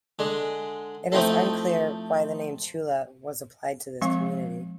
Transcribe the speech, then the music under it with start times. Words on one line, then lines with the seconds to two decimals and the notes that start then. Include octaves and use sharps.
It is unclear why the name Chula was applied to this community.
0.19 D3 G#3
1.12 F3 A3 C4 D#4 E4 A4
4.01 F3 G#3 C4 F5 C#6